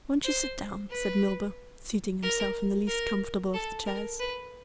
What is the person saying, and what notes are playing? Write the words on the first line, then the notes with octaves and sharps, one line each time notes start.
"Won't you sit down?" said Milburgh, seating himself in the least comfortable of the chairs.
C5
B4
A#4
A#4
A4
A#4
B4